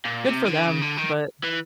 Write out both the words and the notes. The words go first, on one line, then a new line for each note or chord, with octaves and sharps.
good for them. But
A#2
C3
D3
C#3
D3
D#3
E3